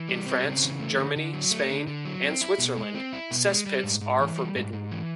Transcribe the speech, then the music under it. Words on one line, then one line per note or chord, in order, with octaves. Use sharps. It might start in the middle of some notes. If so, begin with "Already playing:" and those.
In France, Germany, Spain and Switzerland, cesspits are forbidden.
Already playing: E3
G3
C4
C#3
E3
A3
D3
D3
F#3
A3
D3
D3
F#3
C4
E4
B2
G#3
C4
E4
B2
G#3
G3
G#2
G#2
E3
G3
G#2
G#2
E3